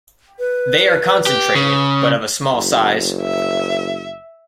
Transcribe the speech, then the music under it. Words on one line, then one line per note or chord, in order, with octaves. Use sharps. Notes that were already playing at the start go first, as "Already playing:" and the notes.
They are concentrated, but of a small size.
B4
G4
C#3
F#1
E5